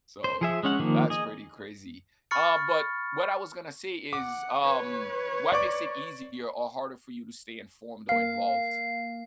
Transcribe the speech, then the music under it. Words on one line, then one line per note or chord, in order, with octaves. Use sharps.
So, that's pretty crazy. Uh, but what I was gonna say is, um, what makes it easier or harder for you to stay informed or involved?
C5
F3 G#4 E5
G#3 C#4 F#5
D#3 F3 A#3
G#4 D#5
B5 C#6 F6 A6 C#7
F#5 D6
B4 C#5
D5 C#6 D6
A#3 F5 C7